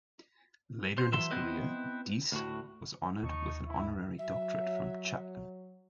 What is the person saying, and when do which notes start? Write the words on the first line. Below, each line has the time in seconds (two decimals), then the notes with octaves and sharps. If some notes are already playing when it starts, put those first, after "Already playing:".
Later in his career, Deese was honored with an honorary Doctorate from Chapman.
0.98 C5
1.12 E3 F#3 E5 C6
1.31 B3 C4 E4 B4 C5 D#5
2.32 D2 A2 F#4
3.23 D#2 D#4 A5 C#6
3.67 E4
4.19 F#3 E5